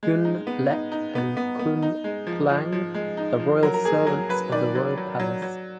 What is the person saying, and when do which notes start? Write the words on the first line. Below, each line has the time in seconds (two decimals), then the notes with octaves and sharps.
Khun Lek and Khun Klang are the royal servants of the Royal palace.
0.03 G#3
0.25 D#4
0.47 B3
0.70 D#4
0.92 D#4
1.15 B3
1.37 B3
1.59 B3
1.82 D#4
2.04 G#3
2.27 F3
2.49 F3
2.72 F3
2.94 G#3
3.17 D#4
3.40 F3
3.63 F#3 A#4
3.74 A#4
3.84 A#3 G#4
4.07 F#3 A#4
4.29 F#3 B4
4.52 D#3 D5
4.75 F#3
4.97 F#3
5.20 F#3
5.42 F#3